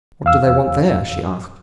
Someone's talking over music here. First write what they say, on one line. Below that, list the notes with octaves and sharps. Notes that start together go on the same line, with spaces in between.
"What do they want there?" she asked.
E2 F5 E6